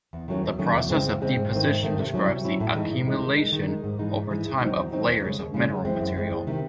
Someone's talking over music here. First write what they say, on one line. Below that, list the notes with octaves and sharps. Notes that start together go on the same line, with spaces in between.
The process of deposition describes the accumulation, over time, of layers of mineral material.
E2
D#3 F#3 A3 C#4
E2
D#3 F#3 A3 C#4
E2
C#3 G#3 C4
E2
C#3 G#3 C4
G#2
D#3 A3 C4
G#2
D#3 A3 C4
C3
F#3 C#4 E4
C3
F#3 C#4 E4
A2
E3 G#3 D#4
A2
E3 G#3 D#4
D#3
G#3 D#4
D#3
G#3 D#4
G#2
E3 G#3 D#4
G#2
E3 G#3 D#4
E2
D#3 F#3 C4 D#4
E2
D#3 F#3 C4 D#4
D#2
C#3 G#3 C#4
D#2
C#3 G#3 C#4
F#2
E3 G#3 C4
F#2
E3 G#3 C4
E2
C3 D#3